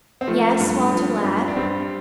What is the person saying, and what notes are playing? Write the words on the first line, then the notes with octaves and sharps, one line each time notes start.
"Yes, Walter, lad?"
C4
F3 A3
G2
F3
G2
D4
G2 G3 C4